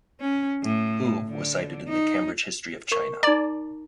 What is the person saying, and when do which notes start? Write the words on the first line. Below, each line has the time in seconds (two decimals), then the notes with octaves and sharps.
Hu was cited in "The Cambridge History of China".
0.21 C#4
0.63 A2
1.28 D3
1.89 D#4
2.92 A#4 C#6
3.23 D#4 D5 A#5